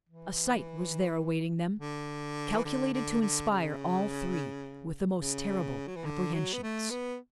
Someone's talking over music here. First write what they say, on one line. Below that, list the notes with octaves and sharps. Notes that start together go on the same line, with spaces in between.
A sight was there awaiting them, calculated to inspire all three with the most terrible apprehensions.
E3
D3
E3
D3
D3
D3
C#3
C#3
F#3
E3
D3
F#3
B3
A3
B3